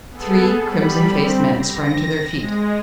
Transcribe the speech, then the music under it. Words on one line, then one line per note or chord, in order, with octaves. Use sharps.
Three crimson-faced men sprang to their feet.
B3 G#4 A4
G3 B5
C4
A#6
G#3